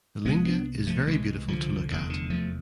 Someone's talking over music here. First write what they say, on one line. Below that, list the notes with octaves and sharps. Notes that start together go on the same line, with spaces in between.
The linga is very beautiful to look at.
C2 C3 G#3 B3
B3 D4
F3 A3
C2 C3 E3 G#3
D3 F3
F1 E2 D3
D3
F3 A3